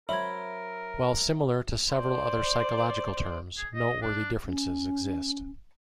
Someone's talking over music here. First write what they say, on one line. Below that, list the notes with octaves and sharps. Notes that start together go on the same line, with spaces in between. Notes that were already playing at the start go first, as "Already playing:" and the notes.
While similar to several other psychological terms, noteworthy differences exist.
F#3 C#4 A#4 C5 E5 B5 G#6
C5 D5
G#4
D#5
D4
C#4